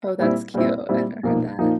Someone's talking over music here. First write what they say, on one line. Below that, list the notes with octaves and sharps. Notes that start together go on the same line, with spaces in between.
Oh, that's cute. I never heard that.
A#2 G3 C4 E4
A#2 G3 C4 E4
A#2 G3 C4 E4
B1 A#2 F3 A#3 D#4
A#2 F3 A#3 D#4